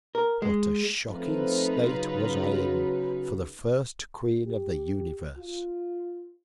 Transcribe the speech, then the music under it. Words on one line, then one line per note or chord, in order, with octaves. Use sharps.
What a shocking State was I in for the first Queen of the Universe!
A#4
G#3
F3 A3 C4 D#4 F4 B4
C#3 F#3
G4
F4